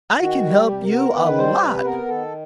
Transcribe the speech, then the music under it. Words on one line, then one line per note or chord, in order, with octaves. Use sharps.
"I can help you a lot."
D#3 F#4
G3
G4
C3
A#4
B3
D#3 B4
G3 C5
C3 B4
B3 A#4
D#3 A4